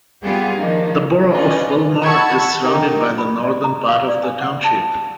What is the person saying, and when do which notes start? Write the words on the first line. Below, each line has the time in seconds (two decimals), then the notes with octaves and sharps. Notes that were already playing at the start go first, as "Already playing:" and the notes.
The borough of Wilmore is surrounded by the northern part of the township.
0.24 G3 B3 F4 G4 G#4 F5
0.59 D#3 F3 A#3 D4 D#4
1.32 C#4 F4 B4 D5 D#5
2.02 F#5 A5 B5 C#6 E6 G#6
2.62 D#4 G4 A#4
3.18 B5
3.43 D5
3.64 A#5
3.88 F5
4.08 D5
4.23 G#5
4.41 F#5
4.64 A5